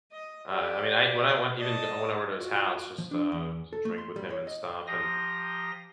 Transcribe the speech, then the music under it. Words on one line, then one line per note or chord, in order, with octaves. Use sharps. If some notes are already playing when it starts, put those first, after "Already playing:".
uh, I mean, I when I went even go I went over to his house, just, uh, to drink with him and stuff, and,
D#5
G4 D5
D5 D#5 A5
F4 F#4
F3
D4
E2
A4
A3
C6
G3
C#5
D#5
F3 G4 A#5 C6 D#6 A#6